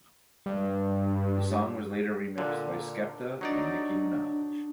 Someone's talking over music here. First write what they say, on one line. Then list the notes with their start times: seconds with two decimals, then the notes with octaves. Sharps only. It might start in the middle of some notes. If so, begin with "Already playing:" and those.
The song was later remixed by Skepta and Nicki Minaj.
0.46 G2
2.38 A#2 D3
3.41 F#3 D4 D#4 D5